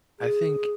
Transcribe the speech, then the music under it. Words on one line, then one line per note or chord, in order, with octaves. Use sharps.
I think
G#4